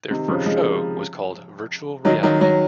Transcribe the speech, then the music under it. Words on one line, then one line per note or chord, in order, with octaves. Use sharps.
Their first show was called "Virtual Reality".
C3 D#3
C#3 F3
F3 G#3
D#3 F#3
D#3 F#3
D#3 F#3